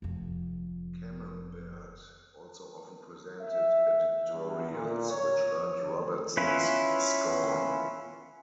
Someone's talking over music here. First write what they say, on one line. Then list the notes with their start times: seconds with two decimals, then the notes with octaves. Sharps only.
Camembert also often presented editorials, which earned Robertson's scorn.
0.02 F1 F2
3.40 E5
4.28 E2
4.71 A#2
5.10 C#5
6.37 C#4 E4 F4 B4